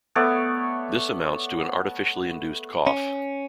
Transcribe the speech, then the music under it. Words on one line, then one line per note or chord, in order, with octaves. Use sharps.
This amounts to an artificially induced cough.
A3 B3 C#5 D5
C#4